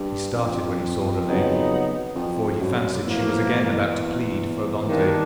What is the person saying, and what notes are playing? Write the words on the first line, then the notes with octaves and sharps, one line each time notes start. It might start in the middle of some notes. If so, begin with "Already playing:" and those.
He started when he saw Renee, for he fancied she was again about to plead for Dantes.
Already playing: G2
F2
C#3 F#3 B3 D#4
F2
F#2
E2 A2 F3 A#3
D#3 G3 A#3 D4